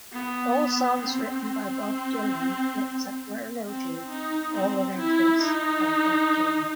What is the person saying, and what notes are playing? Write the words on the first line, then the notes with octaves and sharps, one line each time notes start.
All songs written by Bob Dylan, except where noted; all arrangements by Bob Dylan.
B3
C4
C4
D#4
C4
E4
D#4